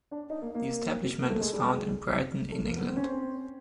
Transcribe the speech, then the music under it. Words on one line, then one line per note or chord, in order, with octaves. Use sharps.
The establishment is found in Brighton, in England.
D4
D#4
A#3
A#3
A#3
A3
G#3
G3
G#3
A3
A#3
B3
C4
C#4
C4